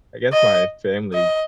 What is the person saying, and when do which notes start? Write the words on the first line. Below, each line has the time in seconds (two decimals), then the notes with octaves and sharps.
a I guess my family
0.33 D#5
1.14 D#5